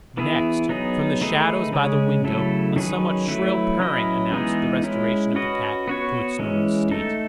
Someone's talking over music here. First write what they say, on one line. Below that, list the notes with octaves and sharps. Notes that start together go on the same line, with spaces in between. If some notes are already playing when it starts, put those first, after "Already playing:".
Next, from the shadows by the window, a somewhat shrill purring announced the restoration of the cat to its normal state.
E3 B3 E4 G#4
F#3 B3 D#4 G#4
D#3 A3 D#4 G#4 B4
C#3 G#3 C#4 G#4
C#3 F#3 A3 E4 A4
D#3 F#3 C#4 G#4 B4
F#3 A3 E4 B4
F#3 C#4 E4 B4 D#5
E3 G#3 B3 D#4 G#4
G#3 C#4 E4
C#4 F#4 B4 D#5
B3 F#4 C#5
E3 G#3 C#4
A3 D#4 A4